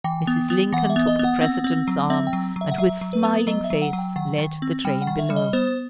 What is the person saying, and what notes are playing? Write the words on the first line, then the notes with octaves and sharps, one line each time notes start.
Mrs. Lincoln took the President's arm, and with smiling face led the train below.
E3 G5
B3
B3
E3 F#5
E5
B3
D#5
B3 F#5
C4 F#5
C4
F#3
C4 E5
G5
F#3
F#3
E5
F#5
F#3 E5
F#3
B4
B3
F#3 D#5
E5
F#3
F#5
F#3
G5
D#3 F#5
D#3
C4
G3 G5
F#5
D#3
E5
G3
D#5
B3 C5